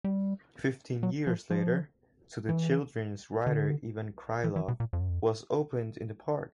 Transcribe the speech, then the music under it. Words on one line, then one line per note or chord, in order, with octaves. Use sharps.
Fifteen years later, to the children's writer Ivan Krylov was opened in the park.
G3
F#3
F3
F3
E3
D3
E3
E3
B2
A#2
F2
F#2
F2